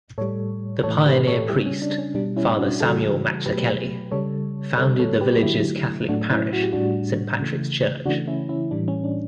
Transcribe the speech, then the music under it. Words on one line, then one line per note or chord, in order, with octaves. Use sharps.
The pioneer priest Father Samuel Mazzuchelli founded the village's Catholic parish, Saint Patrick's Church.
A2 G3 A4 C#5
A2 E3 A3 A4 C#5
G4 B4
B4
A4 C#5
C#3 G3 E4 G4
C#4
D4
C#4
B2 G3 D4
C#4 E4
E4
D4 F#4
C#3 E3 G3 F#4 A4
B2 F#3 A3 G4 B4
C#3 G3 A4 C#5
D3 G3 A4 C#5
A4 C#5
G4 B4
D3 F#3 A3 E4 G4
A2 F#3 A3 D4 F#4
C#4 E4
F#4
G4
A2 G3 D4 F#4
C#3 E3 A3
C#3 E3 A3 D4 F#4
C#4 E4
C#4 E4
A2 E3 G3 D4
C#4
D4